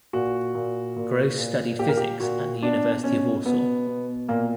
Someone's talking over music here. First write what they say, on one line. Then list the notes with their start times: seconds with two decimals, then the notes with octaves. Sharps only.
Gross studied physics at the University of Warsaw.
0.13 A#2 F#4
0.55 A#2
0.96 A#2
1.38 A#2
1.79 A#2 G4
1.88 A#4
1.97 G4
2.20 A#2 F#4
2.62 B2 D4
3.04 B2 C#4
3.45 B2 B3
3.87 B2
4.28 A#2 A#3